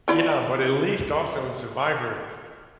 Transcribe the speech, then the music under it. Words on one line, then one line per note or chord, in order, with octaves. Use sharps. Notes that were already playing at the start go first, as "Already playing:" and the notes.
Yeah, but at least also in survivor,
F3 E4 D5